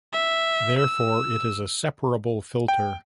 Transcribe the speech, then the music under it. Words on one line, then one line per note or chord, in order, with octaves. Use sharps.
Therefore, it is a separable filter.
E5
E6
G5